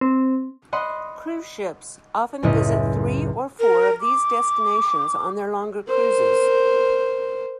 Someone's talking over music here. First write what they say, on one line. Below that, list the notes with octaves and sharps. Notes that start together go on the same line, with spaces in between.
Cruise ships often visit three or four of these destinations on their longer cruises.
C4
D#5 F#5 B5 C6
F#1 C#2 A2 E4 D#5
A#4
D6
A#4 C5